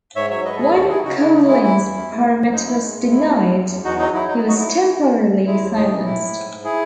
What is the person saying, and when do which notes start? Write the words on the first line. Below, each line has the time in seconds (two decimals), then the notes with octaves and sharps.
When Coughlin's permit was denied, he was temporarily silenced.
0.16 G#2 C#5 E5
0.30 F#3 C#5 E5
0.45 G#2 B4 D#5
0.56 A4
0.60 D#3 G#4 B4
0.75 D#2 F#4 A4
0.89 F#3 E4 G#4
1.04 C#3 D#4 F#4
1.18 C#3 E4
1.34 G#3 D#4
1.48 E3 E4
1.63 E3 E4
1.78 E2
1.93 F#2
2.07 G#3
2.22 G#2
2.37 G#2
2.51 F#2 D#4
2.66 D#3 E4
2.81 G#3
2.96 A2
3.10 A2 E4
3.25 F#3
3.40 F#2
3.54 F#2
3.70 E2
3.84 E2 D#4 F#4
3.99 F#3 D#4
4.14 F#3 E4
4.28 F#3 D#4
4.38 E4
4.44 F#3 D#4 F#4
4.58 F#3 E4
4.73 F#3
4.87 E3
5.02 E3
5.17 E3
5.31 G#2
5.46 G#3 E4
5.61 D#2
5.75 A2 D#4
5.91 E3
6.05 A2 E4
6.20 A2
6.35 G#2
6.50 G#2
6.64 E4 G#4